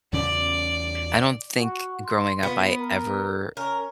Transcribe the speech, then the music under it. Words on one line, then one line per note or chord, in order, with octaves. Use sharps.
I don't think growing up I ever
E2 C#3 C#4 D5
F#4
C6
B3 F4
A#4
C#4 A#4